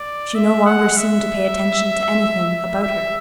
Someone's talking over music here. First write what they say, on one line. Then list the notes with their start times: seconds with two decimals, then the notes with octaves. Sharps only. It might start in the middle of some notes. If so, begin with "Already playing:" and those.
She no longer seemed to pay attention to anything about her.
Already playing: D5
0.35 E5
0.66 F#5
0.97 E5
2.83 E5